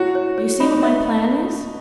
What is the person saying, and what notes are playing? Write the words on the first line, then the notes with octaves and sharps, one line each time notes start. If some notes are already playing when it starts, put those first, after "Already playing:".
You see what my plan is?
Already playing: E4 F#4 C#5
C#5
C#5
D#4 B5
E5